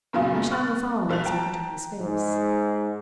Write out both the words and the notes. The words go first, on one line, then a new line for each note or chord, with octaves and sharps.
A shadow fell on the secretary's face.
F#1 A#2 C#3 F#3 B3 F4
C#6 F6 F#6 A6
B1 F3 F#6 F7
G5 A5 A#5
G#2